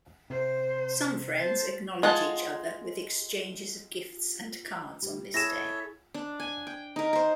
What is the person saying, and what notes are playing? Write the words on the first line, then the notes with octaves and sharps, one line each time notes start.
Some friends acknowledge each other with exchanges of gifts and cards on this day.
C3 C5
C5 A5
G#3 F4 F#5 A5
G3
E4 G#4 A4 C#5 E5 A#6 E7
D4
G#5
G5
D#4 A#4
A#4 C5